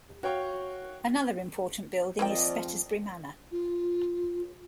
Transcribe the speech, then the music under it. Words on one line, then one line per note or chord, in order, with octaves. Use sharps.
Another important building is Spetisbury Manor.
F#4 C#5 F5 G5 C#6
F2 F3 A#3 C4 B4 D5 D#5 G5
F4